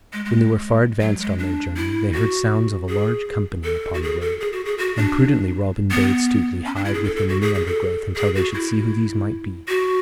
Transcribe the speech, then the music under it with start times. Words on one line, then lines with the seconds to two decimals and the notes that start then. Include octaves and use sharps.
When they were far advanced on their journey they heard sounds of a large company upon the road; and prudently Robin bade Stuteley hide with him in the undergrowth until they should see who these might be.
0.13 G#3
0.25 G#3
1.01 F#3
1.20 G#3
1.38 D4
1.77 E4
2.14 F#4
2.89 G#4
3.64 A4
3.94 F#4
4.03 G#4
4.21 A4
4.40 G#4
4.53 F#4
4.65 G#4
4.78 F#4
4.97 D4
5.91 B3
6.66 C#4
6.76 D4
6.85 E4
6.94 G#4
7.04 A4
7.16 A4
7.29 F#4
7.42 G#4
7.55 G#4
7.67 A4
8.16 G#4
8.35 F#4
8.54 E4
9.68 F#4